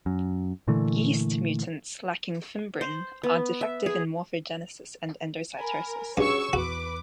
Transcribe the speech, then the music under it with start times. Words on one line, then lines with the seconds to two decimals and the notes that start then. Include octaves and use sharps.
Yeast mutants lacking fimbrin are defective in morphogenesis and endocytosis.
0.06 F#2
0.68 A#2 D3 E3 A3
2.81 C5
3.23 B3
3.61 E5
3.86 G#4
5.58 A#4 G#5 B5
6.17 G2 C#4 F#4 G#4 C#5 C#6 E6
6.53 E2 F#4 B4 D6